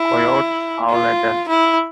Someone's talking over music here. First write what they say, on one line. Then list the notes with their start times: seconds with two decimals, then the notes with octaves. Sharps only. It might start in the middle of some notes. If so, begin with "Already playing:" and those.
Coyotes howl at dusk.
Already playing: E4
0.90 F4
1.48 E4